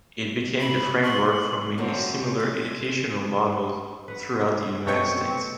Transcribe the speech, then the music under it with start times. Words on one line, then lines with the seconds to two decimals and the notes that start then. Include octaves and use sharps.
It became the framework for many similar educational models throughout the United States.
0.60 B5
1.04 C6 C#6 F#7
1.78 F#2 D3 C4 C#5 F5
2.34 G#3 G#6 A6
3.24 D4
4.08 B4 F#5
4.87 F#2 B2 A3 C4 C#5 G5 C#6